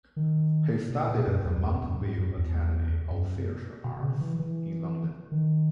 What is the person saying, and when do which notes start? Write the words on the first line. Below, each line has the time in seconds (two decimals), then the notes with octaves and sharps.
He studied at the Mountview Academy of Theatre Arts in London.
0.16 D#3
0.90 B2
1.09 A#2
1.27 F#2
1.45 E2
1.63 F#2
1.82 F#2
2.01 G#2
2.18 F#2
2.38 E2
3.10 F#2
3.84 B2
3.96 B2
4.02 C#3
4.21 E3
4.39 E3
5.32 D#3